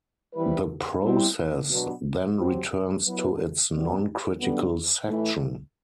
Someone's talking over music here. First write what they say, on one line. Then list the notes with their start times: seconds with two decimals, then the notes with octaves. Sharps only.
The process then returns to its non-critical section.
0.34 E3 G3 C4 E4 B4
1.01 G3 C4 E4
1.70 B2 F#3 B3 D4
2.37 F#3 C4 G4
3.05 F#3 B3 E4 B4
3.72 C3 G3 B3 F#4
4.40 F#2 D3 G3 B3
5.07 A2 E3 A3 E4